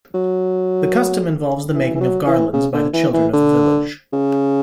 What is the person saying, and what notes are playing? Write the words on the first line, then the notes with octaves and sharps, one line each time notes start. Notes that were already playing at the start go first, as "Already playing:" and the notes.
The custom involves the making of garlands by the children of the village.
F#3
E3
E3
F#3
E3
C#3
D3
E3
E3
D3
C#3